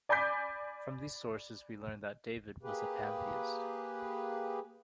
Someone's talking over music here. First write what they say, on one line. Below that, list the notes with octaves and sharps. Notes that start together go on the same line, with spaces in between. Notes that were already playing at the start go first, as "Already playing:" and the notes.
From these sources we learn that David was a Pantheist.
D5 G#5 B5 D6 G6 B6
A#3 G4 G#4 B4